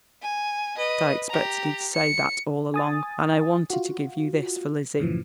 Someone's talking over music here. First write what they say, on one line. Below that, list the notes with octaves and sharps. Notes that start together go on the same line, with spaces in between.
"But I expected he'd say that all along, and I wanted to give you this for Lizzie."
G#5
B4 D#5
G4 A#5
C#7
G#5 D#6 A6
F4 F#4
F#2 A2 C#3 E3 F3